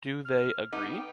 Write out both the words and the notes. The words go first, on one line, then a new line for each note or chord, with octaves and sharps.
Do they agree?
F6
B3 D#4 D6
G5